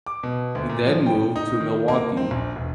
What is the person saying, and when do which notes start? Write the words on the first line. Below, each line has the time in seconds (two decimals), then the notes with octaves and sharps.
He then moved to Milwaukee.
0.06 D6
0.23 B2
0.55 D2
0.69 A#2
0.86 F3
1.06 G5
1.36 D#4
1.60 D#3
1.88 A#3
2.17 C4
2.31 A#1
2.56 E1